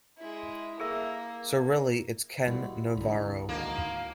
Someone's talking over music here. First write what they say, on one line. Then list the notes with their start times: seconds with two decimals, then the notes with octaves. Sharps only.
So really it's Kenn Navarro.
0.18 G#3 E4
0.80 A#3 G#4 A#4 E5
2.48 A#2 G3 G#3 E4 F#4
2.97 C2 D3 G#4 A#4 E5
3.49 D2 G#2 D#3 F3 A#3 F#4 D#6